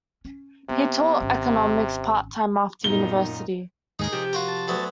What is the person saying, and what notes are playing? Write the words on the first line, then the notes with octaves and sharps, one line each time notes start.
He taught economics part-time after university.
C#4
C3 B3
G#1 C#4
B1 F#2 A#2 D#4 G7
D#2 G#2 D#4 G#4 A#4
C3 F3 G4
F4 F#4 A#4
A5
D2 F#3 B3